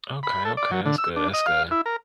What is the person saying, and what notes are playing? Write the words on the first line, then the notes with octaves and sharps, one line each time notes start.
Okay, okay, that's good, that's good,
B5
A4
D5
F#3
D3
E6
D4
D#5
F5
E4
A#4